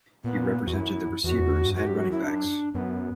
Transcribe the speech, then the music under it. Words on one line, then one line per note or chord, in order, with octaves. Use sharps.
He represented the receivers and running backs.
A#2 B3
E2 F#4
F#2 E4
E2 F#4
F#2
E2
G2
F#2 F#4
G4
F#4
E4
D4
F#2 B3